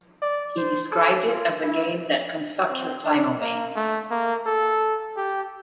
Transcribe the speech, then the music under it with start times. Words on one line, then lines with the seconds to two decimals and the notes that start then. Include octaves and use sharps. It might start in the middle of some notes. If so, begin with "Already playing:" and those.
He described it as a game that can suck your time away.
0.22 D5
0.57 C5
0.92 A4
1.27 F4
1.63 E4
2.69 C4
3.05 D4
3.40 A#3
3.76 A3
4.11 A#3
4.46 A4
5.17 G4